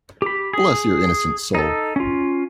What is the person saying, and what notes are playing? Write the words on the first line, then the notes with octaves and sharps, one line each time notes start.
Bless your innocent soul!
G4 B5
G#4
D#4 A4
C#4 F4